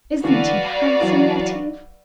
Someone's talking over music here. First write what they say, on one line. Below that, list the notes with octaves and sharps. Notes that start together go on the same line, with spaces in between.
Isn't he handsome, Yetive?
D3 E3 F#4 B4 D5 F5
E3 F#3